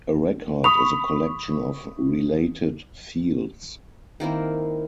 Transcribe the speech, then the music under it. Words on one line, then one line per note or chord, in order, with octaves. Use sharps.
A record is a collection of related fields.
B5 C#6 D#6 F7
D#3 A#3 C4 E4